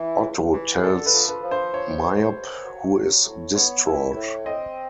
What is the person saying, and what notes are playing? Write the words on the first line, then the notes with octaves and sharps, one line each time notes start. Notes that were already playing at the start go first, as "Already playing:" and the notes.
Otto tells Miep, who is distraught.
Already playing: E3
C#2
E3
G#4
D3 A4
B4
F3
B4
F3
C5
F3 C#5
D#2
D#2
F#3
F#3
A2
B3 C#5
E4
A2
C4 D#5